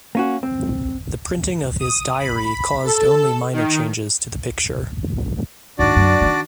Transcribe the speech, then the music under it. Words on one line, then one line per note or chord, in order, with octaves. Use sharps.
The printing of his diary caused only minor changes to the picture...
A#3 C#4 F#4
C4
D#6
B5
A4
D#3
D#2 G#2 D4 F#4 D5
F#2 D3
D#3 E3